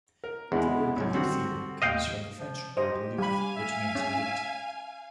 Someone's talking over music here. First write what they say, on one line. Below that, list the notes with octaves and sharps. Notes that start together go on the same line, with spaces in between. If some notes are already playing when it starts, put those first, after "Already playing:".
The word "luthier" comes from the French word "luth", which means lute.
A#4
E2 E3 G#3 B3
C#2 F#2
D3 G3 C4 F#4
D#2 D#5 F5 G5
F3
G4 C5 D#5
G3 F5 G#5 B5
E5
C#4